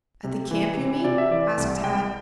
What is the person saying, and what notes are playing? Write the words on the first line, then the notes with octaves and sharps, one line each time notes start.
"At the camp, you mean?" asked Tad.
C3
E3
C3
C3 D5
E5
E3 D5
C2
C2 G5